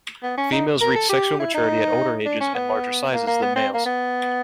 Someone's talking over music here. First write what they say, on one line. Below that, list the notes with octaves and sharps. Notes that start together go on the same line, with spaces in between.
Females reach sexual maturity at older ages and larger sizes than males.
B3
C#4
D#4
A#4
A4
G4
E4
D#4
D4
C#4
B3
A#3
A#3
B3
C4
A#3
B3